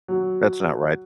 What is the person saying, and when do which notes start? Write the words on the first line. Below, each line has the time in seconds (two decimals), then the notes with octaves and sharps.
That's not right.
0.08 F#3